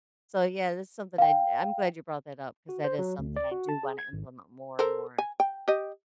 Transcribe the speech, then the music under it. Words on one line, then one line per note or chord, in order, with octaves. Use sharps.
So, yeah, that's something I'd I'm glad you brought that up 'cause that is something I do wanna implement more and more.
F5 G5
F#4
C5
F#3
D2
D5
F#4
A5
G#4
G#6
G#1
A4 A#4 C5
G#5
G5
G4 D#5